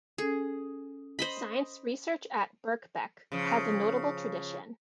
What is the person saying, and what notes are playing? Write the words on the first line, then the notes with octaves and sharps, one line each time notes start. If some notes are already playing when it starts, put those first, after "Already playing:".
Science research at Birkbeck has a notable tradition.
C#4 G#4 A4
C5 D#5 B5
C#3 F3